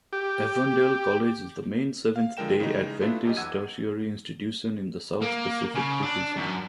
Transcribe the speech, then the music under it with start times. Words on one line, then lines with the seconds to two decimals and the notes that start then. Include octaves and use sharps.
Avondale College is the main Seventh-day Adventist tertiary institution in the South-Pacific Division.
0.13 G4
2.16 F5
2.37 D3 F3 G#3 A#4 G5 E7
2.60 C#3 E3 G#3 D#4
3.01 A3 B3 D4 E4 F4
3.25 F#2 G4 D#5
3.36 E2 F#5 E6 G#6 D#7
5.21 A#3
5.74 C#3
6.03 D4
6.36 F#2